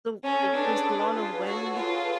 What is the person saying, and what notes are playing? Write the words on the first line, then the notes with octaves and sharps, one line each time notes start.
so, like, there was a lot of wind.
C#4 A4 C#5
D4 G#4 B4
G#4 B4
F4
F#4 A4 C#5
F4 G#4 B4